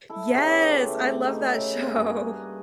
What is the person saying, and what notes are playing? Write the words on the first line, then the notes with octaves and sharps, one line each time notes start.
Yes! I love that show.
E4 A4
C#3 B3 G4
A3
D#4
C#3 E5 G5
G2 A#3 F#4 G#4